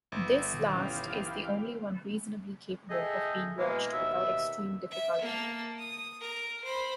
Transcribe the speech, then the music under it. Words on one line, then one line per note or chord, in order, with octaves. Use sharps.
This last is the only one reasonably capable of being watched without extreme difficulty.
G1 E5
B2 D#3
E3 C#4 G4 C#5 F5 F6
G#4 A4 D#5 E5 G5
B2 E3 G#3 A#3
D#2 B2 E5
E5
A#3 A5
D#6
A#4 A#5
C5 B5